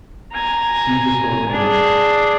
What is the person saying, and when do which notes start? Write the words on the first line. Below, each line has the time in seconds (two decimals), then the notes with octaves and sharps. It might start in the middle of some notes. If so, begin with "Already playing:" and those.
See historical notes.
0.33 G#5 A#5
1.49 D4 G#4